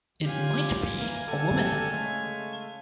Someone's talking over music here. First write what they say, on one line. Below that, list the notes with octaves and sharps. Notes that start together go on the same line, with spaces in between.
It might be a woman.
C#4 F4 G4 F5 G#5
E3 A#3 F5 G#5
G3 G4 A4
C#3 G#3 A3